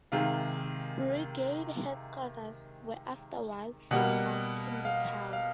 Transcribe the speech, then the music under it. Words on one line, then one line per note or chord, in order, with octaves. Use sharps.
Brigade headquarters were afterwards set up in the town.
C3 D#3 G#3 F5
B2 G3 A#3 F#5
F5
F5